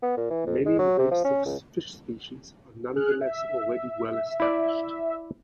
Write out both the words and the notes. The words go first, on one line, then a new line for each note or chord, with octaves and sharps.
Many invasive fish species are nonetheless already well-established.
B3
A#2
E3
F2
G#3
F#3
C3
F3
C#4
C#2
G#4 F6 F#6
E5
E4 D5